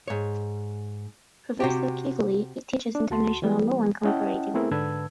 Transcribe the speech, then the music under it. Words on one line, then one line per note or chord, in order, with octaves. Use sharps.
Professor Quigley teaches international law and comparative law.
G#2 C#5
C3 F#4 G4
D4
D2 F#4 A5 C6
E3 G3 B3
C#4 E4 D#5 F#5 G5 A5
A3 B3 C4 E4 G#4 A#4
G#2 D3 B4 A5 E6 G#6